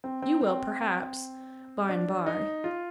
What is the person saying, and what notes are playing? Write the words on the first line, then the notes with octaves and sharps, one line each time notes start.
You will, perhaps--bye and bye.
C4
C4
C4
D4
D#4
F4